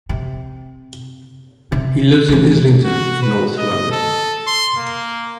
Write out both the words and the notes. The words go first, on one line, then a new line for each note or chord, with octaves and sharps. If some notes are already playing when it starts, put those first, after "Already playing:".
He lives in Islington in north London.
C3
C3
D2 E3
F#4
B4
D#5
A4
C6
A#3